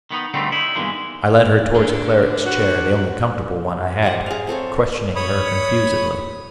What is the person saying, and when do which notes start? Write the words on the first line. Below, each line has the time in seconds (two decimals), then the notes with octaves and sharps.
I led her toward Cleric's chair, the only comfortable one I had, questioning her confusedly.
0.11 D#3 B3 D#4
0.34 D2 D3 D#3 G3 A3 C4
0.52 D#4 E4
0.76 G2 B2 D#3 E3 G#3 A#3
1.76 D3 G#4
2.45 F#4 G4 B4 F#5
4.02 G4 A#4 C5 F#5
4.26 G#4 F5
4.47 C4 A4 C5 C#5
5.16 C#5 B5 D#6